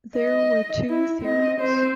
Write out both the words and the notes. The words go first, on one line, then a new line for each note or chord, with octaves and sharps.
There were two theories.
D#5
E4
C4 D#5
C4 C5